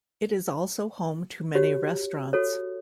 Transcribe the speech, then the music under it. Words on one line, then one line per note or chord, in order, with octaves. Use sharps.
It is also home to many restaurants.
F#4 G4 C#5
F#4 A4 C#5